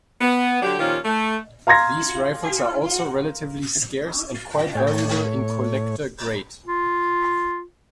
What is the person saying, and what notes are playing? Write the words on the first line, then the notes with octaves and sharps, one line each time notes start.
These rifles are also relatively scarce, and quite valuable in collector grade.
B3
D3 F#3 D4 G4
A#2 D#3 F3 C#4 F4 G4
A3
F5 A#5 C6 G#6 A#6
A2 C#5
F4